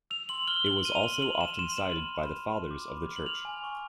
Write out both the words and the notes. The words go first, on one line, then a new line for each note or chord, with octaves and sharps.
It was also often cited by the Fathers of the Church.
E6 F7
C6 F#7
F6 G7
F6 F#7
F6 D#7
F7
C6 F#7
F6 F#7
C6 E7
C6 E7
F6 F#7
B5
B5
F6
F6
D6
B5
F6
F#7
F6 F7
G#5
C#6